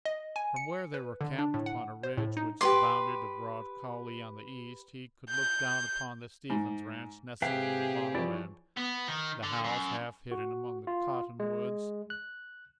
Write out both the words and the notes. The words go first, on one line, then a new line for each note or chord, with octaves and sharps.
From where they were camped upon a ridge which bounded a broad coulee on the east, he could look down upon the Stevens ranch nestling in the bottomland, the house half hidden among the cottonwoods.
D#5
G#5
C#7
B4
D3
D4
A2
F#5
C5
A2
D#4
G4 B4 C6 D6
G6
G#2
C3 G4 G#4 B4 E5 F5 G5
E3 F3 E4 C#5 D5
B3
D#3
D3
F#2
F#4
F4
G#3
F#6